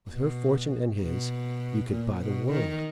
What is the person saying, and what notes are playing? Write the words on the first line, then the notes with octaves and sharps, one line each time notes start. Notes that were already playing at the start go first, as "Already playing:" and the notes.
With her fortune and his--you could buy the world.
B2
B2
A#2
B2
D#3